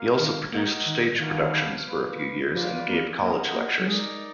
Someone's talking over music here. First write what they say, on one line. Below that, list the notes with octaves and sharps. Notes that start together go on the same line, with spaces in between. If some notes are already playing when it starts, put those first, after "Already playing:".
He also produced stage productions for a few years and gave college lectures.
Already playing: A#3 F4 A#4 F5
D#3
A#3 F#4 A#4 D#5 F#5
D#3
D#3 D4 F#4 B4 F5
A#3 F4 B4
F3 F4 B4 D5 F5
A#3
A#3 B3 F4 A#4 D#5 F#5
A#3
F#3
G#3 D#4 A#4 D5